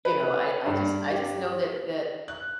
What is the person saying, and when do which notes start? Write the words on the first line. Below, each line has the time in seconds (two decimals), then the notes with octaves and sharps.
you know, I I just I just know that that,
0.05 B4
0.66 G2
1.11 G4
2.28 F#6